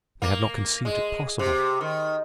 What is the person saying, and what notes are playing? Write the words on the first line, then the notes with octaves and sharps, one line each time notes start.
They had not conceived it possible.
A#3
G#3
C3
D#3